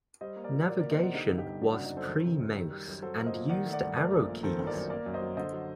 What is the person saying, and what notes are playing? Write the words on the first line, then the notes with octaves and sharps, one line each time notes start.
Navigation was pre-mouse and used arrow keys.
G3 C5 D#5
A#3
A#4 D5
A#2
F#3 A#4 D5
A#3 A#4 D5
C5 D#5
C3 D5 F#5
D3 D#4 G4
G1
D#4 G4
G2
F#3 D4 F#4
F#1 D4 F#4
D#4
F#2 A4 C5
D#3
F#1
F#2
D#3
G3
F#2
F#3 A4 C5
A#3
C5 D#5
A#2
D#3 D5 F#5
A3
D5 F#5
G2
A3 A#4 D5
A#1
A#2
D#3 A4 C5
G1
A#4 D5
F#2
A#3 A#4 D5
F#2
C5 D#5
F#3
D3 C5 D#5
F#3